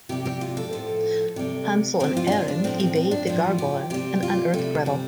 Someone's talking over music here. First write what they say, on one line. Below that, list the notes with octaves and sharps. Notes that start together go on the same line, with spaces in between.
Hansel and Ehren evade the gargoyle and unearth Gretl.
C3 G3 G4
G4
F4
A4
A2 F3
C3 G3
C3 F3 C4
F4
D4
F4
D4
A2 F3 C4
C4
C4
D4
A2 F3 F4
G4
C3 G3 G4
F4
C3 G3 A3
C4